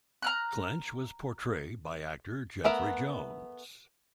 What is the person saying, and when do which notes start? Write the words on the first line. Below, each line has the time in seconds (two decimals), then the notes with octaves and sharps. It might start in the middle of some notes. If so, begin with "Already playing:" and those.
Clench was portrayed by actor Jeffrey Jones.
0.22 A#5 F6 F#6
2.64 A3 B3 A#4 E5 F#5